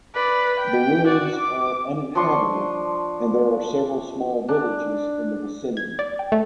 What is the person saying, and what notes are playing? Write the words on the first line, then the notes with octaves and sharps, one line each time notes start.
The ruins are uninhabited and there are several small villages in the vicinity.
B4 D5
G5
F#4 D5
D6
F3 D4 C6 C#6
D4
G#6
D5
G5
A3